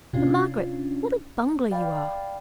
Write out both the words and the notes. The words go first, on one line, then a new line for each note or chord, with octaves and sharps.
But, Margaret, what a bungler you are!
C3 C#4 D4 F4
D5 F5 G5 B5